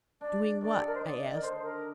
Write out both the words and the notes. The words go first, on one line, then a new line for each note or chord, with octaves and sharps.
"Doing what?" I asked.
D4 D5
D#3 D5
G4
A4
A#4
C5
D#4 D5
D5
A#4
D3 C5
C5
A#4